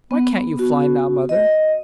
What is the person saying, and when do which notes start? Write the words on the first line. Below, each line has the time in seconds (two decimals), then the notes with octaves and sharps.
"Why can't you fly now, mother?"
0.11 B3
0.59 F#4
1.29 D#5